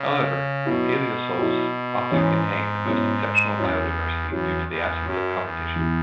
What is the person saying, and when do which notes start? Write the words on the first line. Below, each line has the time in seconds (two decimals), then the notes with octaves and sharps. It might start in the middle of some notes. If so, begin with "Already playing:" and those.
However, paleosols often contain the most exceptional biodiversity due to the absence of competition.
Already playing: C#3
0.65 B2 F#3 B3 E4
1.37 F#3 E4
2.11 G#2 E3 C#4 E4
2.84 B2 F#3 C#4 E4
3.57 E2 F#3 C#4 E4
4.31 E2 F#3 C#4 E4
4.67 E2
5.04 F#2 F#3 C#4 F#4
5.40 E2
5.76 E3 B3 E4